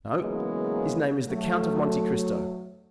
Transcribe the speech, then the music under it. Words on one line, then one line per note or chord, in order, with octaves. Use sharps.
"No, his name is the Count of Monte Cristo."
C#3 E3 F#3 G#3 A#3 B3
F#3 A3